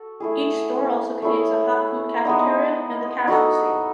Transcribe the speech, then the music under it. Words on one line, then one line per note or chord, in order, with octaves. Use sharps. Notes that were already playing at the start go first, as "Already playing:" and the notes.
Each store also contains a hot-food cafeteria, and a cash machine.
Already playing: F#4 A4
A3 E4 G#4
A3 E4 G#4 C#5
G#3 B3 D#4
D#4 F#4 A4 D#5